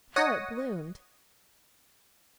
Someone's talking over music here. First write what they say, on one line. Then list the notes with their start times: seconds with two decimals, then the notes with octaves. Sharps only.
How it bloomed!
0.16 C#5 D#5 F#5 D#6